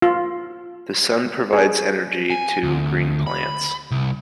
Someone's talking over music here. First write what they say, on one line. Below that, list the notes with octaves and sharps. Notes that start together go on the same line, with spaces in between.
The sun provides energy to green plants.
F4
G#4
G#5
D2
B5
C2